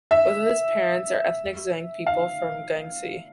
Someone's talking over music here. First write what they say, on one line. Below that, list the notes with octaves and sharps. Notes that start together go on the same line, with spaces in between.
Both of his parents are ethnic Zhuang people from Guangxi.
E5
F5